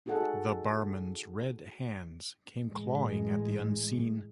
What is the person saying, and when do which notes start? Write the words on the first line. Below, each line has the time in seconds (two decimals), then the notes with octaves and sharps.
The barman's red hands came clawing at the unseen.
0.06 D#4 F#4 G#4 A4 F#5
2.64 A1 G#3